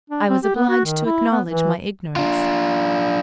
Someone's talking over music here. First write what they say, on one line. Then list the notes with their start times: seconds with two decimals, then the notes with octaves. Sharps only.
I was obliged to acknowledge my ignorance.
0.10 D4
0.29 C4
0.43 G4
0.55 B3
0.69 F#4
0.85 D#3
1.06 E4
1.32 B3
1.46 E3
2.16 D4 F4